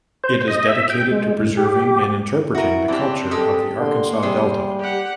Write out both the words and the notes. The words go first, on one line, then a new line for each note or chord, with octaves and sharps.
It is dedicated to preserving and interpreting the culture of the Arkansas Delta.
C5
D#5
E5
G5
G#3
A2
G4
E4 F#4 A#4
E3 C4 D4 G4
G#3 G4 A4
D3 A#3 C6
C3 G3 G#4
G4 F#5